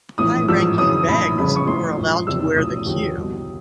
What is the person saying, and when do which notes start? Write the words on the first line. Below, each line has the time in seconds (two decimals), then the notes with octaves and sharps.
High-ranking Begs were allowed to wear the Queue.
0.18 A#1 A2 E3 D#6
0.48 A1 G#2 F3 E6
0.78 F#1 F#2 C#3 E3 D#6
1.08 A#1 A2 E3 B5
1.37 G1 F2 C#3 F3 B5
1.56 C#6
1.67 A1 A2 F3 C6
1.97 A#1 G#2 F3
2.27 F#1 E2 C3 E3 E6
2.56 B1 A2 F3 D#6
2.86 D#2 D3 F3
3.17 C2 B2